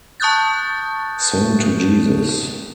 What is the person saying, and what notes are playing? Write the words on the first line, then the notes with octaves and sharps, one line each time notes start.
Sing to Jesus!
A5 C#6 D#6 F#6 G6 A6